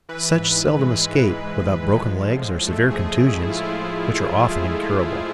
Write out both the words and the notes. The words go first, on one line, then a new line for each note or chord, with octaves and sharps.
Such seldom escape without broken legs or severe contusions, which are often incurable.
E3 B4
G#2
G#2
G#3
E3
G#2
G#2
G#3
F3
A2
A2
A3
F3 G#4
A2
A2 E4
F4
A3 E4